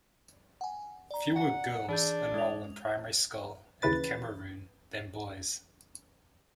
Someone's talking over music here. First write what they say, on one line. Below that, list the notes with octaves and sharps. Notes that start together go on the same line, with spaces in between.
Fewer girls enroll in primary school in Cameroon than boys.
F#5 G#5
D5 A#5
F#5
E3 D4 G#4 G6
G#3 F7
D#2 C#3 E3 B4 A6